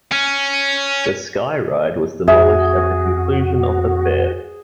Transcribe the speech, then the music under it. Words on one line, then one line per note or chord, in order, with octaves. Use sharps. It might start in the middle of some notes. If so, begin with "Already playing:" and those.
The Sky Ride was demolished at the conclusion of the fair.
C#4
F2 F#4 G#4 E5